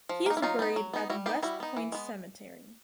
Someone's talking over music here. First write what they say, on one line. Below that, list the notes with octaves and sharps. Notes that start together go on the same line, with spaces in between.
He is buried at West Point Cemetery.
F3
A#3 D#4
E4
F#3 D#4 F4
B3 D#4
F#3
B3 D#4
G3 E4 F#4
B3 D#4 F4 G4
G3 E4 F#4
B3 D#4
E3
G#3 B3